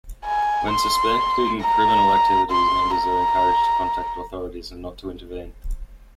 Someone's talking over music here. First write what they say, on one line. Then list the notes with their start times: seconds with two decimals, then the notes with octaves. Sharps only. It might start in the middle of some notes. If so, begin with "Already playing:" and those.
When suspecting criminal activities, members are encouraged to contact authorities and not to intervene.
0.26 G#5
0.71 C6
1.61 A#5
2.51 C6
2.95 A#5